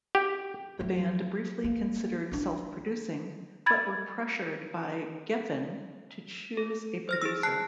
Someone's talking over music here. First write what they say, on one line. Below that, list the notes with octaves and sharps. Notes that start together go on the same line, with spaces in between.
The band briefly considered self-producing, but were pressured by Geffen to choose a producer.
G4
F#3 A3
A#3
D4 E4
B5 G#6 A6
A4
C5 F6 A#6
G#4 E6
A5 F#6 C7